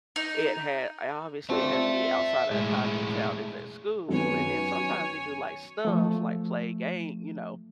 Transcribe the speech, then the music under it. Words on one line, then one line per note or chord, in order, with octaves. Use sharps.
it had uh, obviously, it has to be outside of the time that the child is at school, and then, sometimes, they do, like, stuff, like, play a game you know,
D#4
C4 F4 D5 E5 A5
B1 A2 G#3
F#2 D#3 B3 C#5 G#5
F3 A3